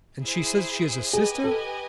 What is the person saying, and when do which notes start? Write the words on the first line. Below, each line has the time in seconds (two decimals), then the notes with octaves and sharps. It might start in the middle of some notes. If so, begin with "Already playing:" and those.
And she says she is a sister....
0.22 E4 G#4 C5
1.13 G4 G#4 B4 D#5 G#5
1.44 A4